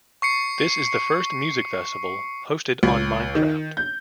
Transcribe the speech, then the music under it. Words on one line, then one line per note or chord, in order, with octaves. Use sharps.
This is the first music festival hosted on "Minecraft".
C#6 C7 C#7
C#2
D#3
G6